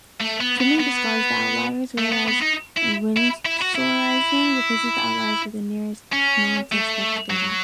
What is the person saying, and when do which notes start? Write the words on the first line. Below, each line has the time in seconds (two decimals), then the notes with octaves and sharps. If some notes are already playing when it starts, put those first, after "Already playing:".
Trimming discards the outliers whereas Winsorising replaces the outliers with the nearest "nonsuspect" data.
0.21 A3
0.41 B3
0.60 B3
0.80 B3
1.98 A3
2.12 B3
2.28 B3
2.42 D#4
2.77 E4
3.17 E4
3.46 E4
3.61 F#4
3.75 E4
6.12 C#4
6.72 A3
7.30 F#3